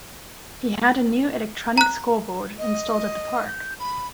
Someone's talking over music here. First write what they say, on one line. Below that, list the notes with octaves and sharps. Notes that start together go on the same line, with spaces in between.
He had a new electronic scoreboard installed at the park.
A#5 F#6
D#5
G6
B5